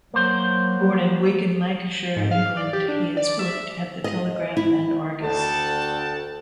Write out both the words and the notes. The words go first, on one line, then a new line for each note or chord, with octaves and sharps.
Born in Wigan, Lancashire, England, he has worked at the Telegraph and Argus.
F#3 A#3 C5
G#2
F5
D5
G4
D4
D5
E5
D#5
E4
D2 F#5 G5 A5